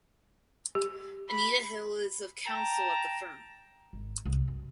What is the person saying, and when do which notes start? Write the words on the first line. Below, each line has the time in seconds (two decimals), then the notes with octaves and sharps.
Anita Hill is of counsel at the firm.
0.75 G4
1.30 B5
2.46 G5 A5 A#5
3.93 G#1
4.25 C2
4.48 F#2